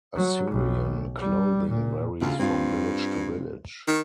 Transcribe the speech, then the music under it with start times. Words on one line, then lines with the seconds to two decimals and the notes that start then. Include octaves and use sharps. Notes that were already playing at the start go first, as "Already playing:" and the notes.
Assyrian clothing varies from village to village.
0.15 F#3
0.51 B1
1.17 G3
1.69 A#2
2.21 D2 C#3 F4
2.39 G2 C4 F4
3.88 D#3